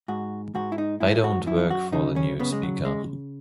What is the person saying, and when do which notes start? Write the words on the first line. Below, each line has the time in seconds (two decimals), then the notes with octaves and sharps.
I don't work for the new speaker.
0.08 G#2 F#4
0.55 G#2 F#4
0.72 E4
0.78 D#4
1.00 G#2 E4
1.24 F#4
1.47 F#2 E4
1.70 F#4
1.93 C#3 D#4
2.16 C#4
2.40 C#3 B3
2.53 G#3
2.63 F#3
2.85 G#3